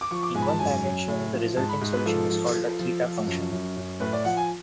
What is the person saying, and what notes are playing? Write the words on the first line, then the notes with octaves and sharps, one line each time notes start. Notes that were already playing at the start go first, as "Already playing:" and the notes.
In one dimension, the resulting solution is called a theta function.
D6
F3 C#6
D6
G#2 G#5
B5
A5
F#2 G#5
F#3
A2
F3
G#2 A5
B5
G#2
B4
F3 A4
F3
F3
F3
F3
F#2
F#2
F#2
A2 B4
D5
F3 F#5
G#5